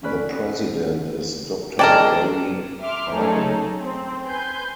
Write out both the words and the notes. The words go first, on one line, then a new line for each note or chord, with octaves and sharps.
The president is Doctor Gary Hagen.
C#4 B4 D5
G#3 F#4 A#4 C5 D5 G5 A5
E5 C6 D6 F6
F#3 A3 C#4 D#4 G#4 A4
C4
B4 G#5 C6 G6